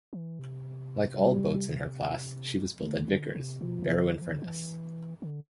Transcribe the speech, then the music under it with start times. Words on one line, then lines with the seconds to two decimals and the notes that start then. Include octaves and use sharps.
Like all boats in her class, she was built at Vickers, Barrow-in-Furness.
0.13 E3
0.39 C3
1.20 G3
2.81 D3 A3
3.08 D3
3.35 C3
3.61 B2 F3
3.82 C3
4.02 D3
4.22 F3
4.33 D3
4.42 E3
5.22 D3